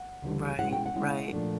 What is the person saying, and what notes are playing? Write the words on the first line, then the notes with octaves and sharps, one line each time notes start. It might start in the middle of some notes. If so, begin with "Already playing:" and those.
Right, right.
Already playing: F#5
D2 C#3 E3 G3
B2 G#3 C#4 E4 F#5
G5
F#5
B2 G#3 C#4 E4
A#2 F3 A3 D4